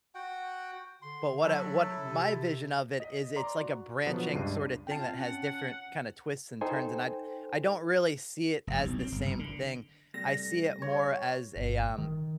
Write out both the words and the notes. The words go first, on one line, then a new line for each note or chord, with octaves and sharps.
but what I what my vision of it is, it's like a branching sort of thing that has different kind of twists and turns, and I I don't really see it as the same thing. I see it more as a, um,
F#4 F#5 G5
D3 C6
F#3 E4 A4
C3
D#5 B6
D5 A#5 C6 D6
F#4
B2 D3 F3 F#3 B3
C#2 G2 D4 C7 D#7
C4 F4 G5 A5
C#4 F#5
D#4 A4 C5 G5 G#5
F1
B1
C4
G1
F#1
D3
C3 G3 A3 A#6
C#5
G1
D#3